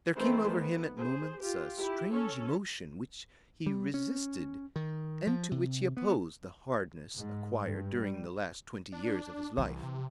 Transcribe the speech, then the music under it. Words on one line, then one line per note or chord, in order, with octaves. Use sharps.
There came over him at moments a strange emotion which he resisted and to which he opposed the hardness acquired during the last twenty years of his life.
D#3 E3 A3 C4 E4 C5
B3
G#4 C5
F4 G4
E4 G4
C#4 A4 C#5
G3
C#4
D#3
F3
C3
B3
G#2
G2
G3
D4
C2 E3
C3